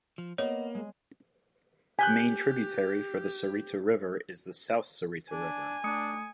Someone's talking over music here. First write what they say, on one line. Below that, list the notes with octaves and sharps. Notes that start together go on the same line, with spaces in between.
The main tributary for the Sarita River is the South Sarita River.
F3
A#3 B3 C#5 D#5
G#3
G4 G#5 F#6 G6 B6
D4 G#5
A3 D4 D#6 C#7